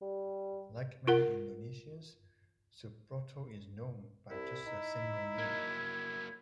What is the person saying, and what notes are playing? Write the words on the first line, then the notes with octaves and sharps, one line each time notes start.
Like many Indonesians, Subroto is known by just a single name.
G3
F4 A#4 F#5
C2 E4
D#4
F#3 A#3 G#6